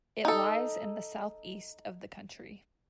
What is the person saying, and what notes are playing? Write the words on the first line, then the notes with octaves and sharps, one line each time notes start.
It lies in the southeast of the country.
D#4 A4